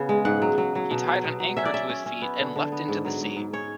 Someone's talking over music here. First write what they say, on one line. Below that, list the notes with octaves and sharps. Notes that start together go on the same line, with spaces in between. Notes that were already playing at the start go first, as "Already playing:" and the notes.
He tied an anchor to his feet and leapt into the sea.
Already playing: C#3 B3
G#3
G#2 F#5
F#3
F#3
F#3
B2
F#3
B2
F#3
C#4 E5
D5
C#4 E5
C#4
C#4
B3
D3
D3
B3
G#2
F#3
G#2
G#2
C#4 C#5